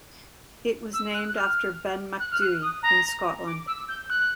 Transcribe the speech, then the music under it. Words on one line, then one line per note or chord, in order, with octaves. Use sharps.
It was named after Ben Macdhui in Scotland.
E6
F#6
F#6
F6
F#6
F6
F#6
D#6
A#5
D6
E6
G6
F#6